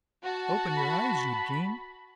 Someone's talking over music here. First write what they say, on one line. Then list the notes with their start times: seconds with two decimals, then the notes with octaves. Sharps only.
Open your eyes, Eugene?
0.23 F#4 A5
0.77 B5